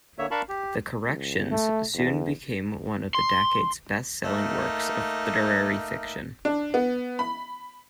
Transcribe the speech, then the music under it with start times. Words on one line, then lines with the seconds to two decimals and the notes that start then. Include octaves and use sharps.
"The Corrections" soon became one of the decade's best-selling works of literary fiction.
0.18 D3 A#3 C#5 E5
0.31 D4 A#4 F5 A5 B5 C#6
0.49 G4
1.06 C#2
1.51 A3
1.94 E2
3.15 C6
4.25 A3 A#3 D#4
6.45 D4
6.74 B3
7.19 B5